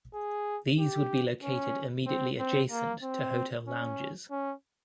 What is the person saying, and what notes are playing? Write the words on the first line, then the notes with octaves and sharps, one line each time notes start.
These would be located immediately adjacent to hotel lounges.
G#4
G4
C#4
C4
C4
A#3
C4
C#4
C#4